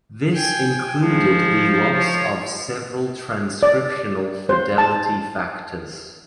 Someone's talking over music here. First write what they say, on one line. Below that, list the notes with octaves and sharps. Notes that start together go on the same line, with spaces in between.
This included the loss of several transcriptional fidelity factors.
G5 G#5
F3 G#3 E4
C#5
D5
C5
A5